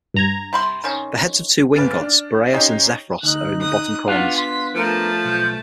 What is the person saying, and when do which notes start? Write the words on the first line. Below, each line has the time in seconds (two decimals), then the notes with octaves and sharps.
The heads of two wind-gods, Boreas and Zephyros, are in the bottom corners.
0.14 G2 A#5 G#6
0.53 C3 B5 C6
0.84 D#3 C4 C#4
1.76 F#1 B4 F6 A6 D7
2.01 D4
2.53 C#4 D#4 G4 C5 C#5 D#5
3.23 D2 D#4 F#6
3.61 D#6 F#6
4.07 B3 D4 F4 F#4 F5
4.36 C6 B6
4.75 F3 A3 A#4 A5
5.24 B1 G6